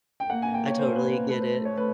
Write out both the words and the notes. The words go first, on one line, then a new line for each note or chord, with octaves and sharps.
I totally get it.
G5
A#3 F#5
G#5
G5
C#5
C5
B4
B4
A3 B4
C5
C#5
B4